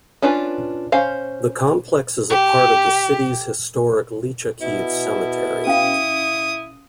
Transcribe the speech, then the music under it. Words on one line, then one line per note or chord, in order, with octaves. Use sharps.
The complex is a part of the city's historic Lychakiv Cemetery.
C#4 D4 F4 B4
C#4 C5 F5
G4
B2 E4
C#4 F5 D#6